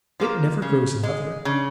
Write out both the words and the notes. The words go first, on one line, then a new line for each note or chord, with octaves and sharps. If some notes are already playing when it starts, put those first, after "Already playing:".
It never grows another.
F3 A#3
C#3
G#3
C#3